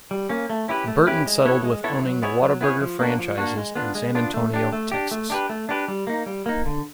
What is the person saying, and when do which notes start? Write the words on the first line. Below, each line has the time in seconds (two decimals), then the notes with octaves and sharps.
Burton settled with owning the Whataburger franchises in San Antonio, Texas.
0.11 G3
0.29 A#3 C#4
0.50 A3
0.68 C#4 E4 G4 B4
0.88 A3
1.07 C#4 E4 G4 B4
1.26 G#3
1.45 B3 E4 A4 C#5
1.64 G#3
1.84 B3 E4 A4 C#5
2.03 F#3
2.22 B3 E4 G#4 C#5
2.42 F#3
2.61 B3 E4 G#4 C#5
2.81 F3
2.99 A#3 D4 F#4
3.18 F3
3.38 A#3 D4 F#4
3.57 G#3
3.75 B3 D4 F4
3.95 G#3
4.15 B3 D4 F4
4.34 A3
4.54 D4 G4
4.73 A3
4.92 D4 G4
5.11 A3
5.30 D4 G4 B4
5.49 A3
5.69 D4 G4 B4
5.88 G3
6.07 A#3 D#4
6.26 G3
6.46 A#3 D#4
6.66 D3